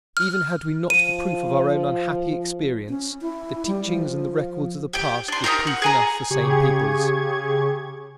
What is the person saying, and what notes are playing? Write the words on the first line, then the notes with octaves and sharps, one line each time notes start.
Even had we not the proof of our own unhappy experience, the teachings and the records of the past give proof enough for sane peoples.
F6
F3 D#7
C#4
E4
G3
F3
G4 G5
D4 C6
D#4 F4 G4 A#4
F#5
G#4 G#5 A#5
C#3 G4 G#4 C#6 G#6